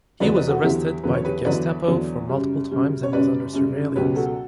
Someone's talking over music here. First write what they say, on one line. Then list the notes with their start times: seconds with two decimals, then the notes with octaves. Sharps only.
He was arrested by the Gestapo for multiple times and was under surveillance.
0.20 E2 D3 F#3 B4 D5
0.35 B4 D5
0.48 F#4 A4
0.62 E2 D3 F#3 E4 G4
1.04 E2 D3 F#3 B4
1.14 C#5
1.25 G4 B4
1.45 E2 D3 F#3 B4 D5
1.87 E2 D3 F#3
2.29 F#2 C#3 G3
2.71 F#2 C#3 G3
3.03 C#5
3.12 F#2 C#3 G3 B4 D5
3.53 F#2 C#3 G3
3.96 C#2 B2 F#3 G4 B4
4.16 F#4 A4